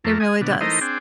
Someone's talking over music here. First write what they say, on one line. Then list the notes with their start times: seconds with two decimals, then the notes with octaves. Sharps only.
It really does,
0.05 F2 A3 A#3
0.20 G#5 D#6
0.41 B2 D3
0.61 E3 A3 D#4 A#4 C5 D#5
0.81 C4 D4 G#4 G5